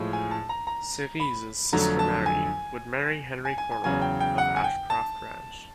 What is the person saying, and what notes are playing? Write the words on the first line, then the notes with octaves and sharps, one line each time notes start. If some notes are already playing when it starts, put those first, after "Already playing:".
Cerise's sister Mary would marry Henry Cornwall of Ashcroft Ranch.
Already playing: A2 F3 G#3
G#5
A5
A#5
A#5
B5
F2 D3 F#3 A3 A#5
A5
G#5
G#5
G#5
G#5
E2 C#3 F#3 G#5
G5
G5
F#5
G#5
G5
A5